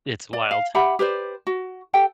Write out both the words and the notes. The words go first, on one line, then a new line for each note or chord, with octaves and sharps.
It's wild.
D5
F5
G4 E5 F#5 B5
G4 B4 C5 D5
F#4
G4 A4 G5